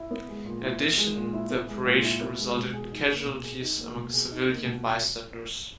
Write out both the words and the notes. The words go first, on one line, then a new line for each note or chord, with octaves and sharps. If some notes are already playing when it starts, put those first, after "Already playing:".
In addition, the operation resulted in casualties among civilian bystanders.
Already playing: E4
B3
G#3
A#2
E4
B3
G#3
A#2
E4
B3
G#3
A#2
E4
B3
G#3
B2
G#4
D#4
A#3
B2
G#4
D#4
A#3
B2
G#4
D#4
A#3
B2